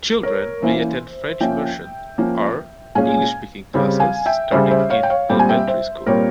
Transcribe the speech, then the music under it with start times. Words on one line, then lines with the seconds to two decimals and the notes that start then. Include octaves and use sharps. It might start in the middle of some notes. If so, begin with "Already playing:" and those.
Children may attend French immersion or English speaking classes starting in elementary school.
0.23 A#4 C#5
0.62 E3 A#3 C#4 C5 E5
1.40 F3 A#3 C#4 E5 G5
2.18 F3 A#3 C#4
2.95 A#2 G#3 C#4 F5 G#5
3.74 C#3 G3 C4
4.00 F5 G#5
4.26 E5 G5
4.51 C#3 G3 C#4 C5 E5
4.71 C5 E5
4.90 C#5 F5
5.03 G5
5.10 C#5 F5
5.29 A#2 G3 C4 G5
5.39 G#5
5.49 E5 G5
5.68 C5 E5
6.07 A#2 G3 C4 A#4 C#5